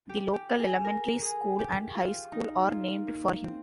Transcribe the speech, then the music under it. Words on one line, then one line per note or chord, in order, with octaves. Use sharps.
The local elementary school and high school are named for him.
G4
G4
G#4
A#4
G#4
G4
F4
D#4
F4
A#3
C4